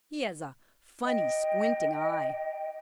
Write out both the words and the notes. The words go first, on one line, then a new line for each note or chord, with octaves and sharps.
"He has a funny, squinting eye."
D#5 G5